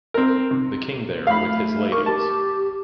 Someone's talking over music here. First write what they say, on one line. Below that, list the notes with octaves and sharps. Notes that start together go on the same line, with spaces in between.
The King there with his ladies.
C4 A#4
C3
A3 F5 B5
A#4 C#6
G4 A5